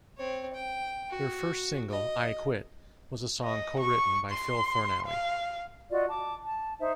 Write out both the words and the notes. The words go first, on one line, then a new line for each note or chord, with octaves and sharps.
Their first single, "I Quit", was a song co-written by Phil Thornalley.
C4 C#5
G5
F#4
D#5
D#5
C#6
C6
F5
F4 F#4 D5 D#5
A5 D6
A5
D#4 C5 E5